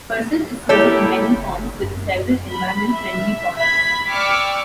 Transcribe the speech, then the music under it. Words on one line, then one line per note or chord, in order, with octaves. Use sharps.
Persil is sold in many forms, with several "environment friendly" products.
A#3 E4 G4 A4 C#5
F#1
F#2
B5
E5
B5 G#6 B6
D5 G5 C#6 D6 E6 F6